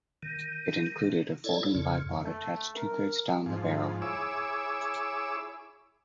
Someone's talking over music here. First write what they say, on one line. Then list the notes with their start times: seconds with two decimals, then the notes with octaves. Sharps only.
It included a folding bipod attached two-thirds down the barrel.
0.23 D#3
1.44 E4 A4 C#5 D5
1.75 F2 C#3
2.23 A3
2.76 A#4
3.46 G#2 F3
4.02 E4 G#4 C#5 D6 E6